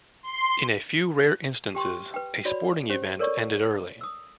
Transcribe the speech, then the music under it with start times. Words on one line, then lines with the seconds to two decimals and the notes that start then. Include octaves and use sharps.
In a few rare instances a sporting event ended early.
0.23 C6
1.75 G4 G5 C6 C#6
2.14 B4 G5
2.45 F#4 C#5 D5 B5
2.90 C#4 G4 C5
3.19 A4 A#4 C#5 D5 C#6
4.01 D#6 E6